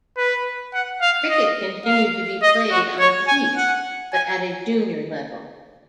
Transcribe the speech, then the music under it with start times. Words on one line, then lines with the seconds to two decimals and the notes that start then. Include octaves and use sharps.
Cricket continued to be played on the 'Heath' but at a junior level.
0.17 B4
0.74 F#5
1.02 F5
1.30 D#5
1.86 F5
2.42 D#5
2.71 F#4
3.00 C#5
3.28 G#5
3.56 F#5
4.13 G#5